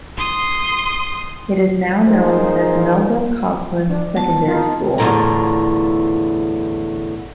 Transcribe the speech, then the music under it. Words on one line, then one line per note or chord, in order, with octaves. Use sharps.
It is now known as Melba Copland Secondary School.
C6 D#6
A#3 D#4 F4 G#4 C5
D4
B3 A5
D#4 F4
E2 A2 D3 D#3 F4 A#5